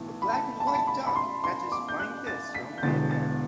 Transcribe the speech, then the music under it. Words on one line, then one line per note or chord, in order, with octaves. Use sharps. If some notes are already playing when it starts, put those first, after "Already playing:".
A black and white dog catches flying discs thrown by a man.
Already playing: B1 A2 E3
B5
A5
A5
B5
A5
B5
B5
C6
C6
D6
G6
F#6
A6
B6
G6
E1 E2 D3 A6
A6